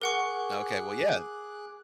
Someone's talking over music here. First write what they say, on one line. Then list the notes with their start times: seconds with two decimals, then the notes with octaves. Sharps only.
Okay, well, yeah,
0.02 G#4 A#4 F#5 C#6 D6 F#6